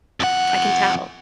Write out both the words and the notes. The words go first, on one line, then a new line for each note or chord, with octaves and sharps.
I can tell.
F2 F#5